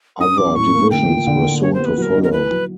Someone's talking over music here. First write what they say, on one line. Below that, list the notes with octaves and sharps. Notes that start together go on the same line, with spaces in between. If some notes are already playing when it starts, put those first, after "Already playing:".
Other divisions were soon to follow.
C#4 D#6
F#3 D6
A2 C#6
A#3
D3 G5
F3
D3
A#3
G4 C#5
C5
B3
B4
F#3 A#4 B4
D#4
A#4
E4 B4
F#3